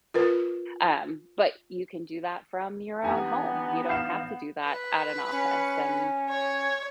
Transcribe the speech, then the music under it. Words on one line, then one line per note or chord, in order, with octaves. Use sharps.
um, but you can do that from your own home. You don't have to do that at an office and
F4 A#4 B4
E3 B3 D4 D#4 G4 G#5 A#5
F5 G6 C7 E7
B4
C#4
C#5